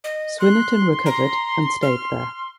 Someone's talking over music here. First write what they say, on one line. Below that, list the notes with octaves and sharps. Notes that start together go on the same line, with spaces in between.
Swinnerton recovered, and stayed there.
D#5
C6 F#6
A#5
F6